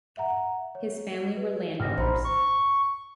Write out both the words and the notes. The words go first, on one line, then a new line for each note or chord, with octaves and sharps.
His family were landowners.
E5 F#5 A#5
C#5
B4
A1 F6 A#6
A#1 C5 A#5 B5
C#6